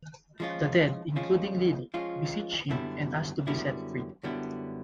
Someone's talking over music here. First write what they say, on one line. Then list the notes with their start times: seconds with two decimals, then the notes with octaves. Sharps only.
The dead, including Lily, beseech him and ask to be set free.
0.40 F3 G#3 C#4 F4
1.16 F3 G#3 C#4 F4
1.94 F3 G#3 C#4 F4
2.70 F#2 D3 G3 B3 E4
3.47 F#2 D3 G3 B3 E4
4.23 F#2 D3 G3 B3 E4